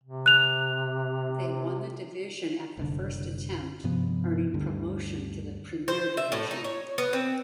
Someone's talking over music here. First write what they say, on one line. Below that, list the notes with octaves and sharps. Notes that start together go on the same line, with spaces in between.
They won the division at the first attempt, earning promotion to the Premier Division.
C3
F#6 F7
F#1 C2 D3
G2 C3 F3 B3
D2 G2 D3
C5
E5
A2
D#4
C#5
B3
C4